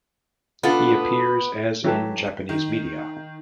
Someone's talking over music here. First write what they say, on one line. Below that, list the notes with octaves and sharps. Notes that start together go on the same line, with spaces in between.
He appears as in Japanese media.
B3 D4 F4 A4
E3 F#3 A3 G4 A4 B4
D#3